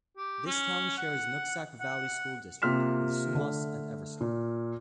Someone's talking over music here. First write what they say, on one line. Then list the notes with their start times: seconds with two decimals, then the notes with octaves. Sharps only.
This town shares Nooksack Valley School District with Sumas and Everson.
0.17 G4
0.46 C#4
0.98 F#5
1.80 F#5
2.62 C3 A#3 F4 F6 B6 E7
3.34 D3 A3
4.21 A#2